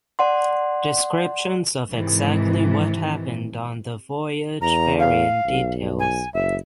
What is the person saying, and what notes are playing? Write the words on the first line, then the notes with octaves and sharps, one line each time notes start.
Descriptions of exactly what happened on the voyage vary in details.
D5 F#5 C6
G#2 C3 D#3 E3
E2 A#5
F5
B1
G#5
F#1 E5